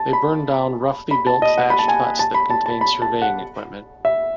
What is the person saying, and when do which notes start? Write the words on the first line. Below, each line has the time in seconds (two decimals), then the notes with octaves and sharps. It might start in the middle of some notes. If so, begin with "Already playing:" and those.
They burned down roughly-built thatched huts that contained surveying equipment.
Already playing: A5
0.13 B5
1.11 B5
1.27 A5
1.42 D#5
1.58 F#5
1.70 B5
1.79 A5
1.88 G#5
2.19 A5
2.34 B5
2.50 A5
2.66 A5
2.81 B5
3.02 A5
3.22 F#5
4.05 E5